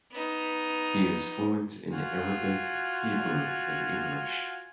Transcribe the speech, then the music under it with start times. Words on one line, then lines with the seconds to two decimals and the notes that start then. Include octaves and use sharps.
He is fluent in Arabic, Hebrew, and English.
0.11 B3 D#4
1.92 F4 F#4 G#5